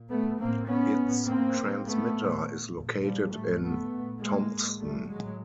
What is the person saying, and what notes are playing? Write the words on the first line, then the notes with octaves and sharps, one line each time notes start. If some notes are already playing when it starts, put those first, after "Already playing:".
Its transmitter is located in Thompson.
Already playing: A#2
A3 B3
A2 A#3 C4
B3 C#4
A2
A#3 C4
A2
A3 B3
A#2
A#2
F3 G3
A2 G3 A3
A3 B3
A#2
G#3 A#3
A2
G3 A3
A2 F#3 G#3